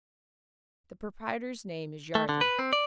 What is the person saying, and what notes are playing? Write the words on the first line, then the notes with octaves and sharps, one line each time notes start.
The proprietor's name is Yardley.
A3
D3
B4
C4
D5